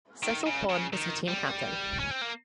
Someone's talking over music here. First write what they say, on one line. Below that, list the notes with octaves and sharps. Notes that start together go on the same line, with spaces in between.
Cecil Horne was the team captain.
D#3
C#3
C#3
D#3
G3
C#4
C4
A#3